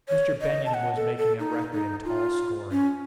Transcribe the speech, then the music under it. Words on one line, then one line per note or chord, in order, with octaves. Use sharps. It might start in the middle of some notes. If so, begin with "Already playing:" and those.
Mr. Benyon was making a record in tall scoring.
C#5
D#5
A5
F#5
A4
A4
D#4
D#4
F4
C#4